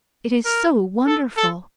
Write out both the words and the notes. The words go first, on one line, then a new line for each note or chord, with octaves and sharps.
"It is so wonderful."
A#4
A4
A4